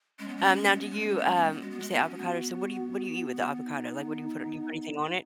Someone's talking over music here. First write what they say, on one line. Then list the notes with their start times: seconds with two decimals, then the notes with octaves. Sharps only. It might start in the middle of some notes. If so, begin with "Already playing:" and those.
Um, now, do you, um you say avocado, so what do you what do you eat with the avocado? Like, what do you put do you put anything on it?
0.19 G#3 C#4
0.28 B3
0.37 G#3
0.46 B3 C#4
0.55 G#3
0.64 B3
0.73 G#3 C#4
0.82 B3
0.91 G#3
1.00 B3
1.06 G#3 C#4
1.17 B3
1.26 G#3
1.34 B3 C#4
1.44 G#3
1.52 B3
1.61 G#3 F#4
1.70 B3
1.80 G#3
1.92 B3 F#4
2.03 C#4
2.15 B3
3.63 D#4